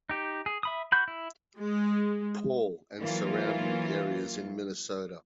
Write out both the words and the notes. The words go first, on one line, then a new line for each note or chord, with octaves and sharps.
Paul and surrounding areas in Minnesota.
D#4 G4
G#4
E5 B5 D#6
F#4 B5 G6
E4
G#3
E3 F#3 A#3 F4